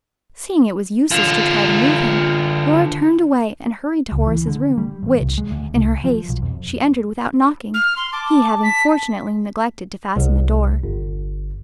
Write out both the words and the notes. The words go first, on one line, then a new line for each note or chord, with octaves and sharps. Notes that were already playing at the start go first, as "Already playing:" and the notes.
Seeing it was useless to try to move him, Lora turned away and hurried to Horace's room, which, in her haste, she entered without knocking, he having fortunately neglected to fasten the door.
D3 F4
C#2
E3
D3
G3
A1
C2
G#3
D2
C2
F3
B1
F2
F6
C6
A5 D6
B6
C2
G1